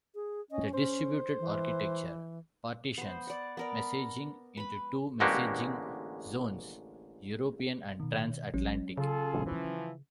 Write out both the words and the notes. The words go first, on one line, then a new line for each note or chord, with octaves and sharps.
The distributed architecture partitions messaging into two messaging zones: European and Trans-Atlantic.
G#4
C#4 D#5
C#4 C5
E3
B3 C5
D5 F#5
B3 A#4 D5
B4 B5
A1 D3 G#3 A#3 F#4 G4
B2 D#3
A1 F#3 C#4
C#3 F4 G#4 A4
E3 F3